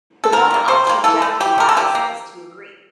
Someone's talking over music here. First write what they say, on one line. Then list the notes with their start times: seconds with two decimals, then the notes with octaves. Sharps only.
The one option Jackie has is to agree.
0.24 A4
0.32 C3 A#4
0.51 G3 A#3
0.68 C3 C5
0.87 G3 A#3
1.04 E3 A4
1.22 A3
1.40 E3 G4
1.58 A3 A#4
1.69 A4
1.77 D3 G4
1.95 A#3